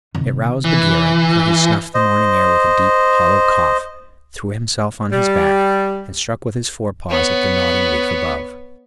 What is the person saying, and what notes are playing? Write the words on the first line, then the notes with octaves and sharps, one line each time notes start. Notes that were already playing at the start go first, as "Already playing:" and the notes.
It roused Bagheera, for he snuffed the morning air with a deep, hollow cough, threw himself on his back, and struck with his fore-paws at the nodding leaf above.
C3 D#3
E3
C5 D#5
G3
B3 C#5